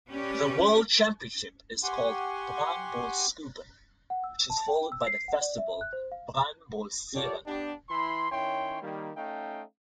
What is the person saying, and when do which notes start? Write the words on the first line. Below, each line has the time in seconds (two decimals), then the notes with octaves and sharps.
The world championship is called Brännbollscupen, which is followed by the festival Brännbollsyran.
0.10 C#4 G4 B4 D5
1.83 G4 F#5 G#5 C6 C#6
4.10 F#5
4.24 E6
4.50 A5
4.68 G5
4.92 E6
5.07 C7
5.28 F#5
5.41 D5
5.58 E5
5.81 F#6
5.93 C5
6.12 F5
7.15 F4 G4 A4 C#5 D5
7.47 B3 D4 G4
7.89 E3 E4 B5 C6
8.32 D#3 C#4 E4 C#5 G5 C6
8.82 D#3 G3 A#3
9.17 A3 C#4 D#4 F5 G5